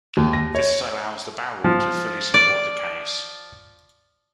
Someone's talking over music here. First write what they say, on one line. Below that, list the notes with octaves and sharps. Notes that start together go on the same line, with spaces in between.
This allows the barrel to fully support the case.
D#2
A#6
C#5
F3
D5